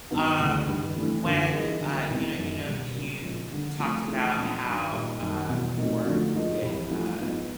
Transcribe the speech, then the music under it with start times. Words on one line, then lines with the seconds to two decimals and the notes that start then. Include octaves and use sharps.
Um, when, uh, you know you know you you talked about how, uh, you work with, uh,
0.10 G2 D#3 F#3 B3 D#4
0.39 D2 C#3 E3
0.67 G2 D#3 G3
0.96 E3 A3 D4
1.24 F#2 D3 F#3 A#3 C#4
1.53 E3 G3 A#3 D#4 G#4
1.81 D3 F#3 A#3
2.09 C2 C3 E3 G#3 B3
2.37 F#2 D#3 G#3 C#4
2.66 C#2 B2 G3
2.93 C#3 F#3 A#3 D4
3.22 A#2 F3 G#3
3.50 D3 G3 A#3 D4
3.78 C#3 F3 A3 C4 F4
4.07 E3 A3 D4 F4 G#4
4.35 A#2 F3 G#3 B3 D4
4.64 G2 D#3 F#3
4.92 A#2 G3 A#3 D#4
5.20 F#2 D#3 G3 A#3
5.49 E2 B2 F#3
5.77 A#2 F#3 A3 C4 D#4
6.05 D3 F3 A3 D4 F#4
6.33 G#2 F3 A#3 D#4 G#4
6.61 C2 C3 E3 G3
6.90 A2 F3 A3
7.18 G#2 F3 G#3 B3